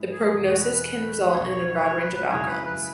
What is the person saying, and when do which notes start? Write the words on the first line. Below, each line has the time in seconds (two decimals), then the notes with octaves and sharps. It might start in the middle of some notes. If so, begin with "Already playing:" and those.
The prognosis can result in broad range of outcomes.
Already playing: G#2 G#3 E4
0.12 G#4
0.36 E2 B2 G#3
0.49 F#4
0.61 B4
0.73 B4
1.34 B1 B2 B3 C#5
1.51 C#5
1.66 C#5
1.75 B4
1.83 C#5
2.00 B4
2.16 B4
2.32 F#2 C#3 G#3 E4 G#4 C#5
2.48 B4
2.65 B4